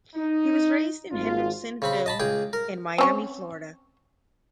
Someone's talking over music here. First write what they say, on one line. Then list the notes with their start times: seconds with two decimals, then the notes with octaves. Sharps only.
He was raised in Hendersonville and Miami, Florida.
0.16 D#4
1.12 G#1 F4
1.82 C#3 C4 B5
2.06 D#5 A5 B5
2.20 C#2 G#4 G5
2.53 A#4
2.98 C4 C#4 C#5